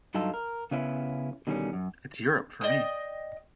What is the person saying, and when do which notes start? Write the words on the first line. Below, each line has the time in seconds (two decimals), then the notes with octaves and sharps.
It's Europe for me.
0.15 G2 F#3 D#4 F4 A4
0.34 A#4
0.71 C#3 B3 C#4 E4
1.47 B2 D3 D#3 G3 C4 C#4
1.73 F#2
2.61 D5 D#5 G5 D#6